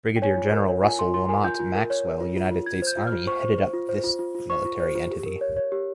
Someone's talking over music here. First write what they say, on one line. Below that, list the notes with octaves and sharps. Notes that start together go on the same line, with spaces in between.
Brigadier General Russell Lamont Maxwell, United States Army, headed up this military entity.
G5
C#5 G#5
F4
A#4
C#5
F4 G#5
F4 C6
F4 C6
A#4 G#5
F4 G6
F4
A#4
C#5
A#4
F4
F4
F4
F4 G#6
C5 G6
F4
F6
F4
C5 C#6
C5
C5
F4
C5
F4
F4
F4
C5 C#6
F4
C5
F4
G4
A#4
C#5
C#5
G4